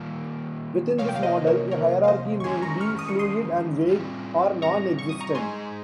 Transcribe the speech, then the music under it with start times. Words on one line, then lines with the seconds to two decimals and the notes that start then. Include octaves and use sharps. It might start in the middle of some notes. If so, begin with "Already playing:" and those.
Within this model, a hierarchy may be fluid and vague, or nonexistent.
Already playing: D#3 G3 A#3 F4 A#4
0.98 C3 F3 A#3 C#5 F5
1.09 G5
1.16 F5
1.23 C5 D#5
1.47 A#4 C#5
1.71 A#4 C#5
2.04 F5
2.08 C5 D#5
2.40 C#6
2.44 D#3 G#3 C#4 G4 A#4 G#5 C6
2.62 A#5 C#6
2.81 C#6 F6
2.99 D#6
3.08 C#6
3.19 C6 D#6
3.89 G3 C4 F4
4.62 A#5 C#6
4.99 C#6
5.09 D#6
5.21 A#5 C#6
5.35 G#3 D#4 G#4 D#5 G#5 C6